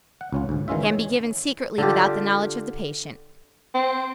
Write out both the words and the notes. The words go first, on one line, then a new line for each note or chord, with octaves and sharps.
Can be given Secretly without the knowledge of the patient.
F#5
C#2 C#4 F4
D2 G#2
D#3 E3 G#3 C#4 F4 E5
G#4 C#5
D3 F4 G4
C4